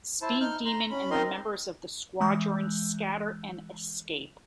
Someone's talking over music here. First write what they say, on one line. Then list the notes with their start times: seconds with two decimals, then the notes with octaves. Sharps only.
Speed Demon and the members of the Squadron scatter and escape.
0.22 E4 C5 A5
0.41 D#4 F6 G6
0.65 A#5 C6
0.90 C#4 B5
1.10 C4 D#4 A#4 D#5 C6
2.20 E3 G#3 E6 F#6 G6